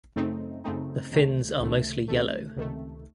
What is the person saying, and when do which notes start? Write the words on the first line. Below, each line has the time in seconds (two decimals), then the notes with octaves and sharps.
The fins are mostly yellow.
0.16 F#2 C#3 A3 C4 D#4
0.64 F#2 C#3 A3 C4 D#4
1.12 C#2 C3 D#3 A3
1.60 C#2 C3 D#3 A3
2.08 C#2 C3 D#3 A3
2.56 C#2 C3 D#3 A3